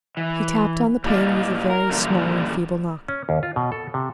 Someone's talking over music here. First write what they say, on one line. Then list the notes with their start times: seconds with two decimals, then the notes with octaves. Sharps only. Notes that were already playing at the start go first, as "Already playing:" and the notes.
He tapped on the pane with a very small and feeble knock.
0.17 E3
1.05 A#2 E4 G4 D5 D#5 F5
1.70 A#4
1.90 F#2 A#2 D3 E3 G3
3.08 C#4
3.29 D#2
3.43 F4
3.56 B2
3.72 A4
3.94 C3